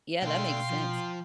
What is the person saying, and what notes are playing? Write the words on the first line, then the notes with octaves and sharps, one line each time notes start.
Yeah, that makes sense.
B2 A3 D4 F5 G5 C6
F3